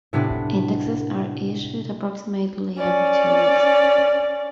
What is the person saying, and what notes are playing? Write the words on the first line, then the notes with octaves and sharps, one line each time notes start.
Indexes are issued approximately every two weeks.
A2 C3 B3 D4
C#4 D5